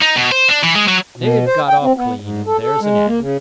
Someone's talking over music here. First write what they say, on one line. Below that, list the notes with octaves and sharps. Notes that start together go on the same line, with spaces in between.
They've got off clean, and there's an end.
D#4
B2
C5
D4
E3
G#3
F#3
B2
C5
G5
C4
B3
G#2
A4
A4
G#3
A#3
C#3